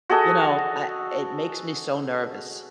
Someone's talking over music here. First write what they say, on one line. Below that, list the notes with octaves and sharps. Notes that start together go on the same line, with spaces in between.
you know, I it makes me so nervous.
F#4 G#4 A4 D#5